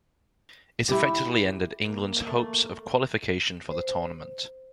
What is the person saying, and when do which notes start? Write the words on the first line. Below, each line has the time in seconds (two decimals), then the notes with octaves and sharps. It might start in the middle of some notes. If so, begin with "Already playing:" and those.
It effectively ended England's hopes of qualification for the tournament.
0.89 E4 G4
1.85 A#3
2.27 A3
3.71 C5